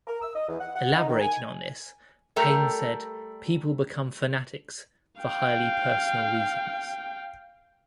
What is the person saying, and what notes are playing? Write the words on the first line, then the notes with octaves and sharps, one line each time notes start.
Elaborating on this, Payne said, People become fanatics for highly personal reasons.
A#4
E6
D#5
E2
F#5
F#5
D#4
D#3
G#5
G3 A3 A4 A#4
F5 G5